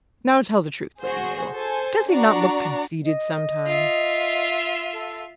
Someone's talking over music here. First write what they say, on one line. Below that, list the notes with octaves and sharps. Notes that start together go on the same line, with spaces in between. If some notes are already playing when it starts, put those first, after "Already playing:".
"Now tell the truth, Lady Mabel; does he not look conceited sometimes?"
F#4 G#4 C5
A4 C5 G#5
D4 F#4 D5 A#5
D#5
F4 E5
A4